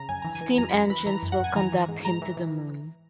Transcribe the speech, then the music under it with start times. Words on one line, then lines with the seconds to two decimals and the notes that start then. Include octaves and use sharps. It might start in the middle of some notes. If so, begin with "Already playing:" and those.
Steam-engines will conduct him to the Moon.
Already playing: C#3 A#5
0.09 F#2 G#5
0.22 E3 A#5
0.35 G#5
0.41 E3
0.58 F#2 A#5
0.69 B5
0.73 F#2 A#5
0.90 E3 B5
1.06 E3 A#5
1.23 F#2
1.32 F#5
1.40 F#2 G#5
1.56 E3 A#5
1.72 E3
1.89 G#2
2.05 G#2 A#5
2.22 E3
2.37 E3